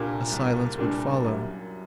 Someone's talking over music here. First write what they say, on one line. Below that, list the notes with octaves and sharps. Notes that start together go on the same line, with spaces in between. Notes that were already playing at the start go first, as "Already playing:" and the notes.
A silence would follow.
Already playing: C2 A#2 G3 A#3 D4
C2
A#2 G3 A#3 D4
F#2